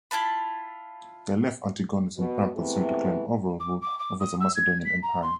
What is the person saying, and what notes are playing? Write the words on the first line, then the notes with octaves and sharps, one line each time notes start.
This left Antigonus in prime position to claim overall rule over the Macedonian empire.
E4 F4 A5 B5
B2
C3 E3 G#3 A3 B3
D6
D6
D6
D#6
E6
G#6
B6
A#5
C6